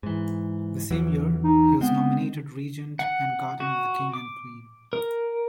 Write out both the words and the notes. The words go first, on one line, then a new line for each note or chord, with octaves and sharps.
The same year he was nominated Regent and Guardian of the King and Queen.
G#2 E3
E2 E3 F#3
D#4
G#3 B3 C4
F#5
F#4
D6
A#4